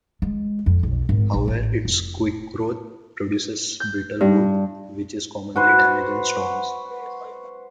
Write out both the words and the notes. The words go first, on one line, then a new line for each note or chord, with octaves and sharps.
However, its quick growth produces brittle wood, which is commonly damaged in storms.
G#3
F2
B1
G#1
A#1
A1
F1
G6
G2
F#4 B4 C5